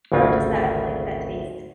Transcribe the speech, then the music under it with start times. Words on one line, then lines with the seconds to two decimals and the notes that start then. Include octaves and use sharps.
or just that, like, that taste.
0.12 G#1 D2 C#3 C4 F4